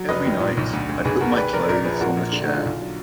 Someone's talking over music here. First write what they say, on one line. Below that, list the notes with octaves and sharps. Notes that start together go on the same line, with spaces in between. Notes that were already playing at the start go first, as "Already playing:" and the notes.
Every night, I put my clothes on the chair.
Already playing: F#3
F1 B4 D#5
D#2
A#2
B1
D2
D2
B1 G#4 B4
B2 F#4 A#4
D5
D#2 G#4 B4
F1 A#4 D5
A#1 A#4 D5
F3 G#4 B4
A#2 F#4 A#4
A#1
D3
D#4 F#4
D3
F4
B1
F#3